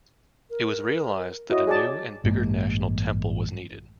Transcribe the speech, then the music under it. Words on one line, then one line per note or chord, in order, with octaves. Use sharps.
It was realised that a new and bigger national temple was needed.
A#4
E4 F#4 C#5 D#5
G#4 D5 A5
A1 G2 G#3 A#3